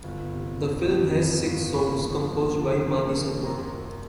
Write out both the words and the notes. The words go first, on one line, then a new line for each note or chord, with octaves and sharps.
The film has six songs composed by Mani Sharma.
G1
C3
F2
F2
G1
G1
D#2 B5 C#6
F3
D#2
F3
D#2
D#2
F#2 A#5 C6
F#2